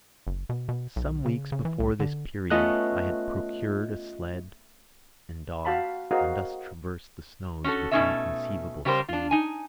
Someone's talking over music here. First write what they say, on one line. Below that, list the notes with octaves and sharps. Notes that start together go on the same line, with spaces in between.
Some weeks before this period I had procured a sledge and dogs and thus traversed the snows with inconceivable speed.
F#1
B2
B2
B1
C#3
C#3
E3
C2
D3
A3 B3 C#4 F4 D#5 F#6
F#4 F5 A5 B5
F#4 G#4 A#4 C5 D#5 F5
C#4 F#4 G4 A4
B2 F3 A3 C#4 D#4 E5
C#3 G3 G4 A#4 C5
D4 F4
D#4 G#5